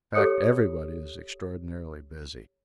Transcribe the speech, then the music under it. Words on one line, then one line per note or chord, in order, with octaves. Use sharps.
In fact, everyone is extraordinarily busy.
G4 A4 C#5 D#6 C#7